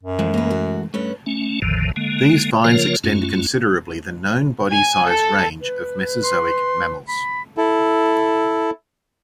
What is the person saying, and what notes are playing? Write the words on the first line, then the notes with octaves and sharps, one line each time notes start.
These finds extend considerably the known body size range of Mesozoic mammals.
F#2
E3 F3 G#3 A3
A#3 B4
F#4
G2 A3 C#4 B4
A3 C#4
A1 E2 A2 D3 D#3 F3
D3 G#3 A#3
C#3 F3 A#3 F4 A#4 C#5
F#2 A3 C#4 F4
G#5
A4
B4
C6
B5
E4 A4